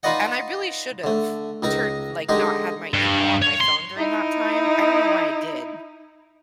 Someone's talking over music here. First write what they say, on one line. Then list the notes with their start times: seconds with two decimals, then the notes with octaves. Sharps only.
and I really should've turned like, not had my email on my phone during that time, I don't know why I did.
0.03 D#4 F4 B4 D5 D#5 F#5
1.04 D3 A3
1.63 C#2 D#4 A#4 A#5
2.29 D3 G#3 D#4 G4 A#4
2.94 G2
3.42 C#5
3.61 C6
3.97 D#4 E4